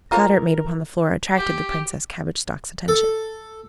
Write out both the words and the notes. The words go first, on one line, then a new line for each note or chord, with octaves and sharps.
The clatter it made upon the floor attracted the Princess Cabbage-Stalk's attention.
F4 A4 A#4 C#5 A#5
G4
A4